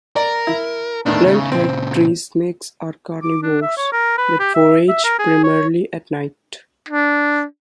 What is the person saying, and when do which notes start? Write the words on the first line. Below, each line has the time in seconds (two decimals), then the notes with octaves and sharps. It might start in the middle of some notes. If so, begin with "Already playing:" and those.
Blunthead tree snakes are carnivores that forage primarily at night.
0.16 A#4 D5
0.47 E4
1.06 E2 A2 D#3 D4
1.26 C#3
1.52 A#2 C#3 C4
3.23 D6
3.42 D4
3.62 E5
3.77 C#5
3.92 A#4
4.18 B4
4.40 G4
4.55 E5
4.89 E5
5.04 A#4
5.19 G#4
5.44 C#5
6.89 D4